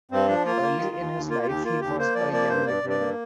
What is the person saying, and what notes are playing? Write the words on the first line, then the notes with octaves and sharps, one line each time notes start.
Early in his life, he was a Young Liberal.
G2 C4
F3 D4
A#3 F4
A#3
D#3
D#2
D#2
A#3 F4
F4
D#2 G4
A#3 F4
D#2 G4
A#3 C5
F3 D5
A#3 D5
G2 C5
G2 D5
G2
D5
A#3